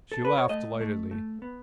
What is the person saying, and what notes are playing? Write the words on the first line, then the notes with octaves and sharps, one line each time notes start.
She laughed delightedly.
A4
B4
C#5
A3 D#5
A3
A3
B3